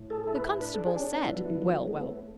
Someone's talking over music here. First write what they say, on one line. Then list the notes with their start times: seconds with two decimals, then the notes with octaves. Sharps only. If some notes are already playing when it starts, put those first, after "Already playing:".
The constable said 'Well!
Already playing: A2
0.10 G#4 A4
0.24 E4 A4
0.35 B4
0.44 E4
0.60 D4 B4
0.74 A4
0.78 D4
0.86 G#4
0.95 C#4 D4
1.12 B3 C#4
1.25 E4
1.29 B4
1.36 F#3
1.45 E3 E4
1.62 F#3 B3
1.79 C#5
1.88 G#3
1.96 B3 A4
2.13 A3